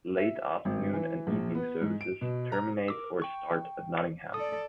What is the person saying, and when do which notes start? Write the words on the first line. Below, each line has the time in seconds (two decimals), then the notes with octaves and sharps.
Late afternoon and evening services terminate or start at Nottingham.
0.17 E5
0.65 G#1
0.93 E3
1.27 A#1
1.55 B3
1.81 G#2
2.01 D7
2.21 B2
2.52 A#5
2.88 A#4 D6 E6
3.22 G5 C#6
4.34 A4 D5 D#6